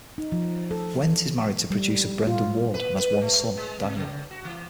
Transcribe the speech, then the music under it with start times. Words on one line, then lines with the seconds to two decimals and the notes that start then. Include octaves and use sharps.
Wendt is married to producer Brendan Ward and has one son, Daniel.
0.18 D#4
0.32 F3
0.71 A4
1.70 G3
2.27 F4
2.74 B4
2.97 B4
3.21 A3
3.57 G#3
3.81 C3
3.96 C#3
4.31 F#4
4.45 E3